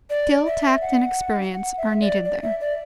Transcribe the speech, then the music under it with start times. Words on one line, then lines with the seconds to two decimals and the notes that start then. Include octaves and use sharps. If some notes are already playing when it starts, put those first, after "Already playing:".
Skill, tact, and experience are needed there.
0.10 D5
0.47 E5
0.82 F#5
1.53 F#5
1.77 E5
2.01 D5
2.25 D5
2.43 E5
2.61 D5